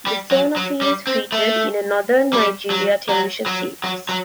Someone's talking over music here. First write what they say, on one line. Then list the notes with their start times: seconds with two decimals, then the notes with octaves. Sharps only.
The Sauna series featured in a northern Nigeria television series.
0.07 G3
0.31 F#3
0.56 F#3
0.81 G3
1.07 C4
1.32 A3
2.33 G3
2.70 F#3
3.09 F#3
3.46 F#3
3.84 F#3
4.09 F#3